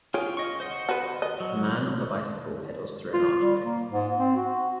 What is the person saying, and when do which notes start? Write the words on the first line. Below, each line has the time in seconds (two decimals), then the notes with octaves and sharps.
A man on a bicycle pedals through an archway.
0.14 C#4 F4 G#4 G5
0.37 D#5 C#6
0.60 C5 D#5 F#5
0.89 F#4 B4
1.22 D#5
1.40 F#3
3.13 F4
3.41 G3
3.64 A#3
3.92 G#2
4.19 C4
4.36 F#4